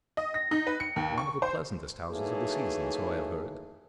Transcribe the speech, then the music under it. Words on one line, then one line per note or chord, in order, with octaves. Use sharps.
One of the pleasantest houses of the season, so I have heard.
D#5
A#6
D#4
B4
C#7
D#2
C#6
C5
E3 F#3 A3 A#3 D#4 G#4